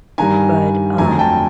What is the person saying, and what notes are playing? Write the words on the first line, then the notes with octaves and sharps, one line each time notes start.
But, um,
G2 D#3 G3 G#5 A#5
F2 D3 F#3 A3 G#5 A#5
G5 A5